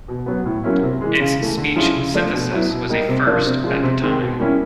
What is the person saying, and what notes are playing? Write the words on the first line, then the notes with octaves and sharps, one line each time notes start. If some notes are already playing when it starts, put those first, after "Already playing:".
Its speech synthesis was a first at the time.
B2
F#3 B3
A2
F#3 A#3 C#4 E4
C3
E3 G#3
C#3
E3 A3
D3
F3 G#3 C#4 E4
C#3
F3 A3 D4
B2
F#3 B3 E4
B2
G3 A#3 D#4
C3
F3 A#3 D4
C3
F3 G#3 C#4
C3
D#3 G#3 C4
B2
G3 A#3 C#4 E4